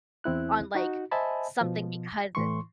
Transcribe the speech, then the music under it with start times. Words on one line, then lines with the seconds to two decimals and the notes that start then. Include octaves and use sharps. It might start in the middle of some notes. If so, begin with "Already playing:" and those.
on, like, something because it's
0.24 E2 C4 E4 F#6
0.75 D#4 F#4
1.11 C5 D#5 E5 G#5 A5 B5
1.61 B2 F3
2.35 A2 E3 C6 C#6